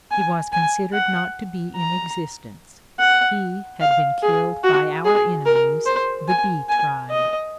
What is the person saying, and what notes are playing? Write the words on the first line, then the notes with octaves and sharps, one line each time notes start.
He was considered not to be in existence--he had been killed by our enemies, the Bee tribe.
G#5
G#5
F#5
A#5
F#5
F5
G#4
F#4
G#4
A#4
C5
G#5
G#5
D#5